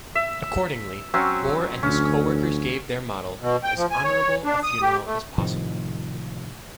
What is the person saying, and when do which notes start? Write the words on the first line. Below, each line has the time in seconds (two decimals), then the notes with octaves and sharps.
Accordingly, Bohr and his co-workers gave their model "as honorable a funeral as possible".
0.15 E5
1.14 F#3 C4 C#4
1.83 D2 C#4
3.41 B2
3.64 G5
3.77 F3
3.91 G#5
4.04 C#5
4.44 D4
4.63 D#6
4.82 G4
5.06 A3
5.38 A2 C3 D#3 F3